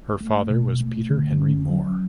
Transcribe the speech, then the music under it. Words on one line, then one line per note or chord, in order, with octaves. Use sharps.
Her father was Peter Henry Moore.
A3
B2
A3
D3
C#4
F#3